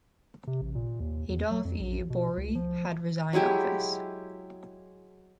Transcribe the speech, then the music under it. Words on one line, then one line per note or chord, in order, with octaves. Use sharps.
Adolph E. Borie had resigned office.
C3
A1
A#2
D#2
E2
F#3
F2
A#1
B2
C#2
F3
F#3 G#3 E4 G4